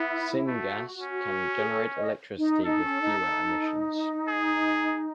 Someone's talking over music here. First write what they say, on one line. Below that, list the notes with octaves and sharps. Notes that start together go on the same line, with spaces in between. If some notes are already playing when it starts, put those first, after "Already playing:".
Syngas can generate electricity with fewer emissions.
Already playing: B3 E4
A3 F#4
C#4
G#4
A4
D#5
D#4
D#4 A4
C#4
D#4
D#4
G#4